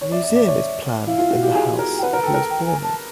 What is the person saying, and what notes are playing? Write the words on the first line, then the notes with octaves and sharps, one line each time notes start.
A museum is planned in the house he was born in.
C#5
D5 E5
D5
D5
C#5
E4 F5
F4
F#4
G4
G#4
A#4
G5
B4 F#5
A#4
A4 G5
A#4
G5
G#5
A5